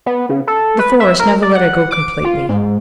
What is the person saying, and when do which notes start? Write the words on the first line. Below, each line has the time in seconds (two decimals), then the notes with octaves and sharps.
The Forest never let her go completely.
0.06 B3
0.29 C#3
0.47 A4
0.79 B4
1.00 E5
1.19 A#4
1.42 D5
1.55 F#5
1.91 D6
2.25 F4
2.49 G#2